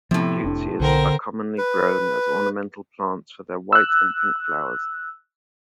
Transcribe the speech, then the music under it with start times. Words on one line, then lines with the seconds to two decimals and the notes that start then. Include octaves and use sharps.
Deutzias are commonly grown as ornamental plants for their white and pink flowers.
0.11 A2 C3 F3 B3
0.44 F1 D4
0.80 B1 D3 C4 A#4
1.58 B4
3.73 E6 F#6